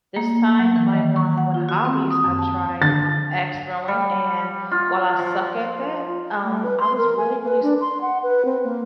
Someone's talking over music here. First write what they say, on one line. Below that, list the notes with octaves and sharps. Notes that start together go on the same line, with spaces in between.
this time, like, um, with hobbies I've tried, um, ax throwing and while I suck at that, um, I was really, really s
A#3
F#3
E3
D#3
C#6
F#5
F4
F#4
C4
D#6
F#2
A5
D3 A6
G3
F4
F3
A3
B4
C6
A#4
G#5
B4
D4
C6
F#5
B4
C4
A#3